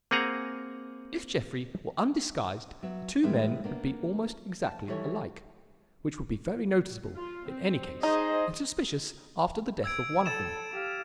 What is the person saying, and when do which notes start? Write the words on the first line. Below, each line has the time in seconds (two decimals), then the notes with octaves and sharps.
If Jeffrey were undisguised the two men would be almost exactly alike; which would be very noticeable in any case and suspicious after the death of one of them.
0.11 A#3 C4 G#4 F#5 G#5 A#5
2.83 F#3 B3 E5
3.23 A2 E3 G3 G#3 E5
3.64 A#3 B3 D4
4.66 A5
4.88 D#3 E3 G3 A4 C#5
7.15 F4
7.49 C4
8.03 D#4 G#4 C5 D#5
9.84 E6 G#6 D7
10.26 A4 A6 E7
10.72 G4 F5